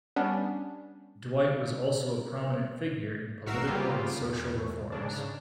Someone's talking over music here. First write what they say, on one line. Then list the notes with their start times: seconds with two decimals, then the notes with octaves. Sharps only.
Dwight was also a prominent figure in political and social reforms.
0.16 G3 B3 C#4 D4
3.46 A1 F#4 A#4 E5 F5 C7
3.66 C#3 G3 A#3 B3 F4 G4
4.20 E2
4.92 G#2 C#3 D4